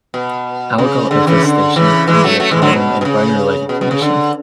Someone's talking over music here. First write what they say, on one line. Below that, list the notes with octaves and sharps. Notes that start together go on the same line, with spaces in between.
Algal infestation can be a problem in brighter lighting condition.
B2
C#3
D3
C#3 E3
D3
C#3 E3
E3 G#3
F#3 A3
F#3 A3
E3 G#3
D3 F#3
B2
B2
C#3
B2
B2
C#3
D3